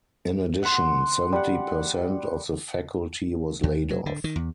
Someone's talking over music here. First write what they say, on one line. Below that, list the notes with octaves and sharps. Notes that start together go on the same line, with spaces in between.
In addition, seventy percent of the faculty was laid off.
F#5 C6
G3 F#5
D#2
F#3
D3
D#3
E2